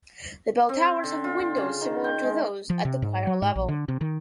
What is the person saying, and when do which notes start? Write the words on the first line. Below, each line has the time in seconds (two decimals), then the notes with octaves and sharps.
The bell towers have windows similar to those at the choir level.
0.69 C4
1.04 D3
1.24 F4
1.57 C#3
1.81 D#3
2.04 G5
2.23 G#3
2.70 F3
2.85 C3
3.02 G#2
3.27 F#3
3.42 G#2
3.55 A#1
3.69 D3
3.88 C3
4.01 D#3